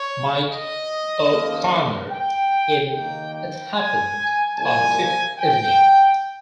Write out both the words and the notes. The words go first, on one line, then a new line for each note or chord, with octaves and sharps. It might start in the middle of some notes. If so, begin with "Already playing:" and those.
'Mike' O'Connor in "It Happened on Fifth Avenue".
Already playing: C#5
D#5
D#2 C#3 F3 A#3
G5
D#2 D#3 A#3 G5
G5
G#5
C2 C3 F3 A#3 G#5
G5